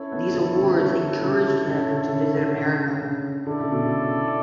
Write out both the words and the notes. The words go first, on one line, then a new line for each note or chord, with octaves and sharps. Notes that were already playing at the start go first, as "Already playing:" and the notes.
These awards encouraged him to visit America.
Already playing: C#4 E4 A4 C#5
B3
D3
C#3
D3
C#3
C#3
D3
C#3
D3
C#3
C#3
D3 E4 A4 D5
C#3
B2
C#3